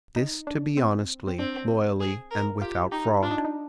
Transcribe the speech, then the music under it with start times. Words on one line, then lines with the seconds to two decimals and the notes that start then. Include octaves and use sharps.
This to be honestly, loyally, and without fraud.
0.16 D#4
0.47 D4
0.77 C4
1.28 C4
1.39 C4 D4
2.00 G#4
2.31 A#4
2.62 F4 G4
2.92 D#4 G4
3.23 D4 F4
3.31 D#4
3.38 D4
3.45 D#4